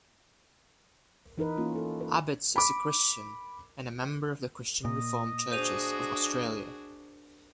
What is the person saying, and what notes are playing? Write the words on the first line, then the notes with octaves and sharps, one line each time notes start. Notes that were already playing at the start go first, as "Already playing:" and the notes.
Abetz is a Christian and a member of the Christian Reformed Churches of Australia.
E3 D#4 A#4 B4
A#3 C#4 F4
A4
B4
B5 D6
A#2 D#5
D4 F#4 G#4 C5 D#7 F7